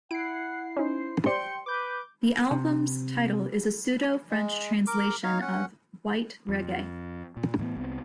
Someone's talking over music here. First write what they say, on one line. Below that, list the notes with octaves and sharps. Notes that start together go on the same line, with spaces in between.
The album's title is a pseudo-French translation of "white reggae".
E4 F#5 C7 D7
C#4 D#4 C5
G4 C5 D5 G5 C6 C#7
B4 D6 G6
C3
G#3
A#4 D6
D#4 C#5 F5
C#4 F#5
F2
A#2
A2 E3 F#3 B3
C2 B3 C4